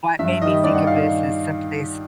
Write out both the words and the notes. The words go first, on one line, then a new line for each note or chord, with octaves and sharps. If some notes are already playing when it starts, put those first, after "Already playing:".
what made me think of this is some place
G2 E5
D#3 G3 D#5
G2 D5
F#5
D#3 F5